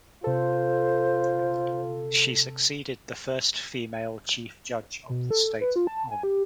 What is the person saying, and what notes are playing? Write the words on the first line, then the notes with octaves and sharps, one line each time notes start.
She succeeded the first female chief judge of the state Hon.
C3 F4 A4 C5
B2
A4
B4
F4
A5
G#5
G4